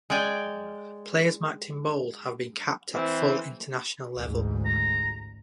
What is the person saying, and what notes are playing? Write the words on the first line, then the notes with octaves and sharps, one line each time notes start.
Players marked in bold have been capped at full international level.
G#3 D5 G5 G#5
E3 C4
A1 D2 G#2
A#5